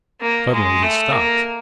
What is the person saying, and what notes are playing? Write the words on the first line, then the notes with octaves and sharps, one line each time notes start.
Suddenly he stopped.
A#3
G#3
A3
A#3